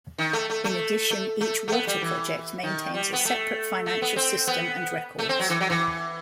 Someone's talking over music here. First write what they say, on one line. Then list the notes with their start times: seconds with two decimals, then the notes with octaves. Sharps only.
In addition, each water project maintains a separate financial system and records.
0.18 D#3
0.33 A3
0.50 A3
0.64 A3
1.11 A3
1.41 A3
1.68 A3
1.72 B3
1.87 G3
2.02 E3
2.63 D#3
2.94 G3
3.13 B3
3.25 A3
3.86 A3
4.02 B3
4.16 C4
4.47 B3
5.19 A3
5.29 C4
5.39 F#3
5.50 E3
5.60 F#3
5.70 E3